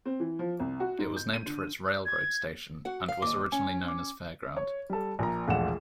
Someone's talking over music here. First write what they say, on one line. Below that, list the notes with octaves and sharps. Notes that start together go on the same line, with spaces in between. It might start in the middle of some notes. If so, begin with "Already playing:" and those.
It was named for its railroad station, and was originally known as "Fairground".
C4
E3
F3
C2
F#4
G#2
G6
D#7
D3
G#6
F#4 F#5
F5
D#2 D#5 D6
C#4 G#5
D6
C#5
G3 A4
A#1 A#2 A#5
E1 A#1 A3 F4 F#5 E7